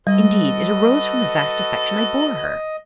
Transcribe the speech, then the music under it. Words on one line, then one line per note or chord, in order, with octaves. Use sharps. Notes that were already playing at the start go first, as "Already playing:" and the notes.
Indeed it arose from the vast affection I bore her.
G3 F#4 A4 B4 D#5